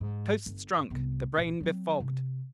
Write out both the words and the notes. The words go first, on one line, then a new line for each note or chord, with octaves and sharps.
Toasts drunk. The brain befogged.
G#2
G1
C2 B3
A#1
F#3 C4
C3